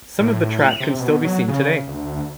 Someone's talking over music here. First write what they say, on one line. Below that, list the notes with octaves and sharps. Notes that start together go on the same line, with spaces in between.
Some of the track can still be seen today.
A2
C3
B2
F#3
C#3
D2